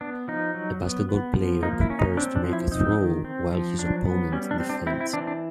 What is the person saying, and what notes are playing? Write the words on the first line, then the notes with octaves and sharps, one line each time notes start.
A basketball player prepares to make a throw while his opponent defends.
B3 D4
F3 D#4
F#3
B3
B3
F3
A#3 D#4
E4
C#4
D#4
C4 D4
D4
F3
E4
C4 D#4
D#3
C4
F3
F#3 D4
B3
G3 C#4
D4
C4
D4
C4 E4
E4
E3 D4
D4